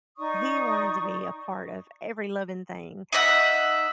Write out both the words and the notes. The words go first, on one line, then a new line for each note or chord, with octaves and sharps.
he wanted to be a part of every living thing.
D#4 D5 C#6 D#6
D#4 D#5 E5 F#5